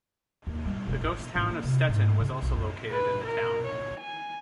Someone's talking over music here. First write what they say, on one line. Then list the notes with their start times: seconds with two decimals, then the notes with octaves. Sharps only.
The ghost town of Stettin was also located in the town.
0.47 D#2
0.66 G3
0.87 E1
1.01 A1
1.19 D#4
1.35 A1
1.49 A#3
1.63 C3
1.89 G#2
2.20 C#3
2.42 B1
2.55 F#2
2.89 B4
3.24 A#4
3.64 C#5
3.99 G#5